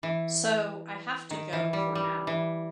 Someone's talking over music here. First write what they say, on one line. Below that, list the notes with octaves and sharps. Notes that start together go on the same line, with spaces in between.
So, I have to go for now.
E3
D#3
E3
G3
G3
E3